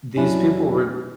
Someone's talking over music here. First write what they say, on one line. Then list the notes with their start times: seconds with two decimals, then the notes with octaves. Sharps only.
these people were
0.16 F2 F#3 C#4 D4 E4